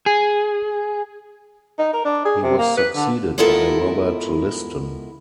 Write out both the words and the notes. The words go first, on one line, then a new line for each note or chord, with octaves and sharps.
He was succeeded by Robert Liston.
G#4
D#4
A#4
D4
G#4
C3
A#3
B4
D3
G#3 B3 E4 F4 A4 A#4